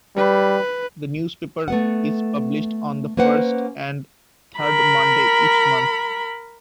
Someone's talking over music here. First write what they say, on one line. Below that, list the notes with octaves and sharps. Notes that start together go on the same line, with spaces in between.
The newspaper is published on the first and third Monday each month.
G3 B4
A3 B3 F#5
A#3 C#4 B4 C5 F#5
A#4 B5